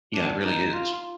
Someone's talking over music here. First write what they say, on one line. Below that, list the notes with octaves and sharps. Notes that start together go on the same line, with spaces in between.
Yeah, it really is.
D4
D#4
F4